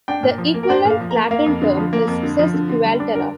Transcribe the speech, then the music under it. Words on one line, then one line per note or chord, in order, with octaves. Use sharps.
The equivalent Latin term is sesquialtera.
D4 G5
A#2
F3
A#3
A#4
D4 C5
A#2
F5
F3
A#5
A#3
A#3 F5
F2
D3
F3
A#3
F2
D3
F3
D3
D3
G3
D4
D3 A#4